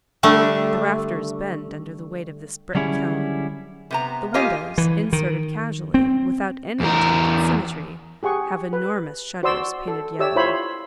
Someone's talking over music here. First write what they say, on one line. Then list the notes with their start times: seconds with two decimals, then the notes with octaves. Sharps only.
The rafters bend under the weight of this brick-kiln. The windows, inserted casually, without any attempt at symmetry, have enormous shutters, painted yellow.
0.23 D3 G3 A3 D4
2.75 D3 F#3 G3 C#4 E4 G#4
3.91 C3 B3 A#5
4.34 A#3 F4 G4 D#5 F5 G#5
4.78 E3
5.13 D#3
5.94 C4
6.80 E2 A#4
8.23 G4 G#4 F#5 C#6
8.73 B4
9.43 F#4 C5 D5 C6 E6
9.88 A4
10.19 G4 C#5 D5 E5 E6
10.36 E4 F4 C5 C#5 E5 B5